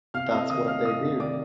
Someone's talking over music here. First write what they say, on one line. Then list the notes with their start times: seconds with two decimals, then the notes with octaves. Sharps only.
That's what they do.
0.14 C3 F5 F6
0.32 C3 D#5 D#6
0.50 D#3 D#5 D#6
0.68 A3 F5 F6
0.84 C3 D#5 D#6
1.03 C3
1.20 D#3 D5 D6